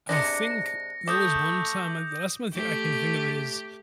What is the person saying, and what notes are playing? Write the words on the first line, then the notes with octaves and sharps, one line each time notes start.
I think there was one time and the last one I think I can think of it is
C3 G#3 D4 A#6 C#7
A3 D6 D#6 G6
A3 G4